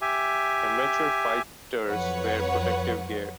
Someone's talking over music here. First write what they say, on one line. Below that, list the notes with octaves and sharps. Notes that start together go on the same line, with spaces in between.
Amateur fighters wear protective gear.
G4 E5 G#5
F2 F#3 B4 C#5 F#5